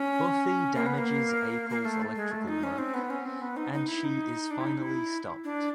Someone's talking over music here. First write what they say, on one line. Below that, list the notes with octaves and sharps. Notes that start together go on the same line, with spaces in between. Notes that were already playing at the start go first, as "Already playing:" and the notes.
Buffy damages April's electrical work, and she is finally stopped.
Already playing: C#4
A#3
B3
A#3
A#3
A3
G#3
A3
D#4
C#4
C4
B3
C#4
C4
B3
D#4
D#4
E4
D#4
D4
E4
D#4
E4
D4